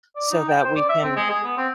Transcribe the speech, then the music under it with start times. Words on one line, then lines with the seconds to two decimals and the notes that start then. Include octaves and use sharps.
so that we can,
0.16 D5
0.31 D#4
0.48 G5
0.64 C5
0.76 D5
0.89 E5
1.04 C4
1.17 G#3
1.30 G#4
1.44 B3
1.58 C4